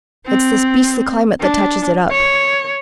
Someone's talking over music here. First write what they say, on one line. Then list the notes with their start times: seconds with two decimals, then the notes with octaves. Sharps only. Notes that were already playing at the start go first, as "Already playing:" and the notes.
It's this beastly climate that touches it up.
0.27 C4
1.40 D4
2.11 C#5